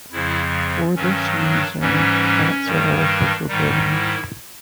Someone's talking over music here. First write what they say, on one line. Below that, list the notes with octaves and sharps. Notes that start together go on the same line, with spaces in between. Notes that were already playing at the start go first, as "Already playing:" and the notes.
For this reason cats are also forbidden.
F2 C#3 F3 E4
G2 D#3 F#3 C#4
D4
G#2 E3 G3 C#4
G2 D#3 G3
D4
G#2 D#3 G3 D#4
E4